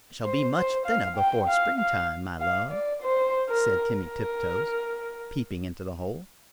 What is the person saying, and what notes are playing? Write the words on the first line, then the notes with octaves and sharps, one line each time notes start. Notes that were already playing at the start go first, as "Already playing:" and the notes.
"I shall be much thinner before springtime, my love," said Timmy Tiptoes, peeping into the hole.
C5
C5
F5
G5
F5
F5
F5
D5
C5
A#4
A#4